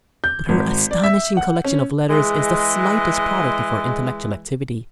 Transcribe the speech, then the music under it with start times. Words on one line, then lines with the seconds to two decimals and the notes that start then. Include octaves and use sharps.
But her astonishing collection of letters is the slightest product of her intellectual activity.
0.24 G6
0.49 G#1
0.91 D5
1.04 E5
1.37 F#5
1.64 C#4
2.10 E3 G#3